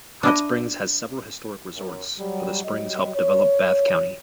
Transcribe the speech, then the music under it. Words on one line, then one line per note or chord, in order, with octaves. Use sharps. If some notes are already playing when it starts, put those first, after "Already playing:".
Hot Springs has several historic resorts, for the springs helped develop Bath County.
D4 E4 D#5
F#2
F#3 G3
F#3 G3 D#5
C#5